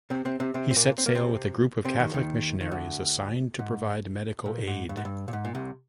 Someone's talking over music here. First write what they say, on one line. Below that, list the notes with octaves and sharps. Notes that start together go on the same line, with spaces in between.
He set sail with a group of Catholic missionaries assigned to provide medical aid.
C3 C4
C3 C4
C3 C4
C3 C4
C4
A#2 A#3
C4
A#3
C3 C4
C3 C4
D#2 D#3
D#2 D#3
D#3
D2 D3
G#2
A#2
G#2
G2
G#2
G2
A#2
G#2
A#2
C2 C3